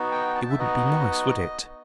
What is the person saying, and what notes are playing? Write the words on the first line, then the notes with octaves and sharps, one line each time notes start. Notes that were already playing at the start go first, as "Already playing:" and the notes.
It wouldn't be nice, would it?
Already playing: B3 D#4 F#4
G5
A5
E5
B3 D#4 F#4 D#5